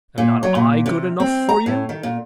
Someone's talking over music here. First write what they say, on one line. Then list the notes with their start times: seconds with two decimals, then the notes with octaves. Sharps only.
Am not I good enough for you?'
0.18 A#2
0.43 F#3
0.55 A#2
0.86 C3
1.20 C4
1.49 A#5
1.66 A2
1.89 D#3
2.03 A#2